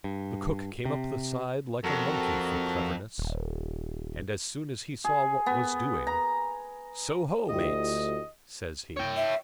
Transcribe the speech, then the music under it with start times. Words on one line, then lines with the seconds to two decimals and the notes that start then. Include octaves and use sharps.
The cook came up the side like a monkey for cleverness, and as soon as he saw what was doing, "So ho, mates!" says he.
0.04 G2
0.85 C3
1.84 F2 F#4 A4 A#4
3.18 D#1
5.04 G#4
5.46 B3
6.07 A#5
7.49 D2 E4 F4 G4 D#5
8.97 C#5 G5
9.17 E5